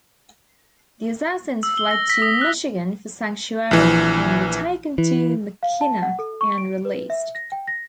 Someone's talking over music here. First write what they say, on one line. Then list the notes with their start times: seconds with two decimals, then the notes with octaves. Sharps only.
The assassins fled to "Michigan" for sanctuary and were taken to Mackinac and released.
1.63 E6
1.77 G7
1.91 A#6
2.10 B6
2.22 D#6
2.41 F#6
3.71 A#1 E3
4.98 E3
5.63 F5
5.81 A5
6.02 F#5
6.19 A4
6.41 C#6
6.58 D7
6.85 B4
7.10 E5
7.35 A#6
7.52 G5
7.67 A#6